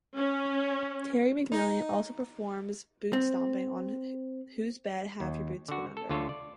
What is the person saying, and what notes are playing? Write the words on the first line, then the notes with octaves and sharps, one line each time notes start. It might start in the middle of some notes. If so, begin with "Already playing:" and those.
Terry McMillan also performs boot stomping on Whose Bed Have Your Boots Been Under?
C#4
D#4
C4
D#2
D3 F#4
A4
D2 D3 F4 A4 C#5
D5